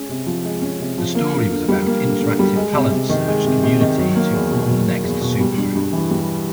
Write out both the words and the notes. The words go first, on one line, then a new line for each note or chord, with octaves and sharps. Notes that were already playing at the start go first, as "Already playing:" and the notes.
The story was about interactive talent search community to form the next Supergroup.
Already playing: G#3 C#4
C3
F3
G#3
C#4
C3
F3
A#3
D3
D3
G3
A#3
D3
D3
G3
G#3
C3
C3
D#3
G#3
C3
C3
D#3
F#3
A#3
E2
B2
F#3
A#3
E2
B2
G3
G2
G2
E3
G3